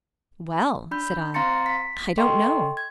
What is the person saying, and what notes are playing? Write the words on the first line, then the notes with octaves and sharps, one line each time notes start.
"Well," said I, "I don't know."
D4 B5 G6
C4 F5 A#5 C6 A6 C#7
B6
A4 D#5 G5 C6 C#6
G#6